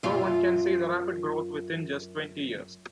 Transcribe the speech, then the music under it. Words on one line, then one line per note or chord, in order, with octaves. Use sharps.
So one can see the rapid growth within just twenty years.
F#2 F4